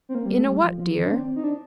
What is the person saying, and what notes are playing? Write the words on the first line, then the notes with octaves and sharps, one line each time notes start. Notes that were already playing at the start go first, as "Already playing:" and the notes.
"In a what, dear?"
C4
A#3
G3
A3
G3
F3
F3
D#3
D4
C4
D#4
D4